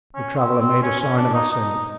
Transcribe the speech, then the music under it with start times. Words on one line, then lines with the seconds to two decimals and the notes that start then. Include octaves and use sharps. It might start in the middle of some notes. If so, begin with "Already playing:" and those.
The traveler made a sign of assent.
0.15 C#4
0.36 C4
0.59 C4
0.82 C#4
1.00 C#4
1.17 D4
1.34 D#4
1.51 D#4